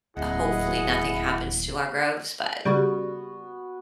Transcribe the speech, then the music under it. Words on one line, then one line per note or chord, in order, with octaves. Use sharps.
Hopefully, nothing happens to our groves, but
D1 D#2 E4 G#4 D#5 F#5
C#3 G3 B3 F#4